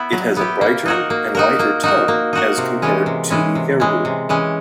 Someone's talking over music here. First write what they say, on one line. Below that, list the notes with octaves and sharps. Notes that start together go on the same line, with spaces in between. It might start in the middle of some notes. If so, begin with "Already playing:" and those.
It has a brighter and lighter tone as compared to the "erhu".
Already playing: B3 E4
F#3
B3 E4 G4
A#3
D#4 F#4 A#4
A#3
D#4 F#4 A#4
A#3
D#4 F#4 A#4
A#3
D#4 F#4 A#4
C3
E3 G#3 C#4
C3
E3 G#3 C#4
C3
E3 G#3 C#4
C3
E3 G#3 C#4